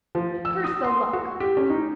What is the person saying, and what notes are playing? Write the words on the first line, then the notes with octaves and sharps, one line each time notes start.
Curse the luck!
F3
E6
D#6
C6
F#4
G4
C#4
D#4